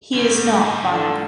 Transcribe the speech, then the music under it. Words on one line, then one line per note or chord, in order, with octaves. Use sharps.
He is not final.
G#2 D3 G3 C#4
D#5
D3 F4